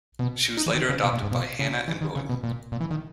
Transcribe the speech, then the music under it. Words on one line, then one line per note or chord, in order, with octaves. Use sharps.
She was later adopted by Hannah and William.
B2
D#4
E3
D#3
C#3
B2
A#2
G#2
B2
C#3
E3
D#3
C#3
B2
A#2
A#2
E3
D#3